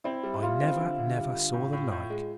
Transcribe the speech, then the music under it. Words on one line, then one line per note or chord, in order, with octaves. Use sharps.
'I never, never saw the like.
C4 E4
G3
G3 F4
C4
D3
D3
G3
D3
A2
A2
A2
G#3